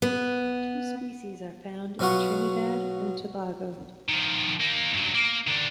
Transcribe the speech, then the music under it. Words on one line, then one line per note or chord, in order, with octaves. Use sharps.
Two species are found in Trinidad and Tobago.
B3
B2 F#3 B3 F4 F#5 C#6
D#3 F3
A#3 D#4
G2 F#3
A#3
D#3 D4